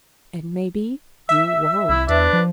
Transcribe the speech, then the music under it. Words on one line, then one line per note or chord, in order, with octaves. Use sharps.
"And maybe you won't."
E5 E6
C2 E4
E2 D4 B4
F3